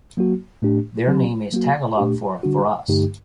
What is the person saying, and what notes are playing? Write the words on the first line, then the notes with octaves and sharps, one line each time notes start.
Their name is Tagalog for "for us".
F#3 A#3 F#4
A2 A3 D4 G4
F#3 C4 G4
F#3 A#3 F#4
A#2 A3 D4 G4
D3 G3 D4 F#4
G2 D3 A3 D#4 G4